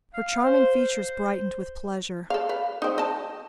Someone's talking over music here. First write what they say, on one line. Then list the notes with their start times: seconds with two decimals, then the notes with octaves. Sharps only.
Her charming features brightened with pleasure.
0.14 F5
0.44 C5
2.30 A4 F5
2.49 B4 F5
2.82 C4 D#4
2.98 D#5 A5